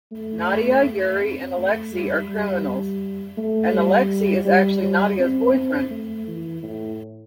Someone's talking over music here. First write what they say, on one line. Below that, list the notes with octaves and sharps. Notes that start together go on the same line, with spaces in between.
Nadia, Yuri, and Alexei are criminals, and Alexei is actually Nadia's boyfriend.
A3
A3
C4
A3
G3
G3
A3
G3
G3
G3
C4
C4
A3
E3
A2